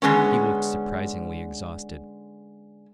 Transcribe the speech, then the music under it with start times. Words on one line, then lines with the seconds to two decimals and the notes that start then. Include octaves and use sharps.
He looked surprisingly exhausted.
0.02 D3 G#3 B3 C#4